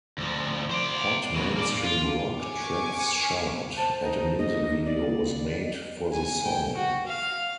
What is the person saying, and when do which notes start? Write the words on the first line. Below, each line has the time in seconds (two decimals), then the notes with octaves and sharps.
Hot Mainstream Rock Tracks chart, and a music video was made for the song.
0.18 D2 F3
0.71 C5 D5
1.36 D#2 B2
1.57 A#3 D5
1.84 F4
2.36 G#5 C#6 D6
3.77 C5 A5
4.03 D#4
4.38 A#3 D#5
4.85 D5
5.61 D#5
6.12 G#5
6.45 G5
6.76 F#4
7.07 F5